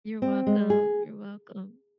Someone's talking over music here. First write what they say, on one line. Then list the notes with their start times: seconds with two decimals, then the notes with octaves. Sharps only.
You're welcome. You're welcome.
0.22 C4
0.47 G#3
0.70 G#4